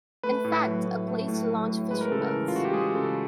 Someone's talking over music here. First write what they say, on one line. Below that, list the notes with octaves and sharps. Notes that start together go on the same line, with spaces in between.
In fact a place to launch fishing boats.
A3 B4
A2
F#3
A2
A3
A2
F#3
A2
G#3 B4
A#4
C#3 A4
A#4
E3
F4
C#3 F#4
G4
G#3 G#4
C#3 A4